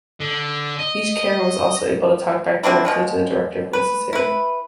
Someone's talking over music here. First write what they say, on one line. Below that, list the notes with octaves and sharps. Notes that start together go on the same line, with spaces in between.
Each camera was also able to talkback directly to the director if necessary.
D3
D#5
D3 C4 D4 E4
B2 F3 G#3
B4
E4 B4